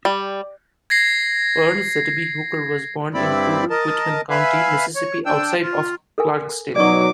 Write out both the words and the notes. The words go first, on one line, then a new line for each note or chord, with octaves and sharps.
Earl Zebedee Hooker was born in rural Quitman County, Mississippi, outside of Clarksdale.
G3
G#6 A#6 C7
G2 C4 E4 D5 B5
A#4 D#5 A5
B4 E5 F5 G#5 B5
C#5
D4 G5 E6
F4
A4 A#4 G#5
B2 F#3 D#4 D5 C#6 D6